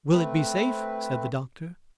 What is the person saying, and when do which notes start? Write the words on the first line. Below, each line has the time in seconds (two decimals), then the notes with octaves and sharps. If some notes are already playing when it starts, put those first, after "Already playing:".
"Will it be safe?" said the doctor.
0.10 A3 C4 B4